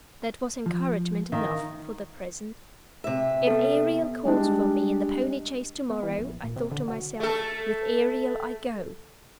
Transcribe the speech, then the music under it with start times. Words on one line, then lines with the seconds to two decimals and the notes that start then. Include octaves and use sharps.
That was encouragement enough--for the present. "If Ariel calls for me in the pony-chaise to-morrow," I thought to myself, "with Ariel I go."
0.66 F3
1.32 D#3 E5 F5 G#5
3.04 C3 E5
3.47 B3 A4
4.25 G3 G#3 D4
5.90 B3
6.03 E3
6.18 A#1
6.44 A#2
6.56 C3
6.71 D3
6.88 F#3
7.20 A3 A4